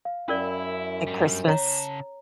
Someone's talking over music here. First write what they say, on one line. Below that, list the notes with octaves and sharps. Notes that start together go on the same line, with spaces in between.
At Christmas.
F5
F#2 C#4 E4 A#4 D5
G2 G3
C#3 C#5 A5 A#5